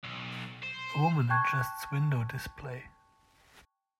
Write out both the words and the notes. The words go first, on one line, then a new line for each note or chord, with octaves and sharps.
A woman adjusts window display.
B1
C5
G5 A5 C#6 F#6 G#6